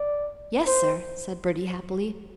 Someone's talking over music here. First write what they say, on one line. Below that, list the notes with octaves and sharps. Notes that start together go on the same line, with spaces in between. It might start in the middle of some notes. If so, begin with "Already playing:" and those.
"Yes, sir," said Bertie happily.
Already playing: D5
C5